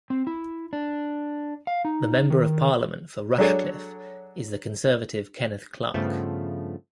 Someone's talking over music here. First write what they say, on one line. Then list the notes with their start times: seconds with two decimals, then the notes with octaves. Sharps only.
The member of parliament for Rushcliffe is the Conservative, Kenneth Clarke.
0.10 C4
0.27 E4
0.73 D4
1.67 F5
1.85 D#4
2.30 D#3
3.38 F#3 D4 G#4 A4 C#5
5.94 G2 C#3 F3 A3 B3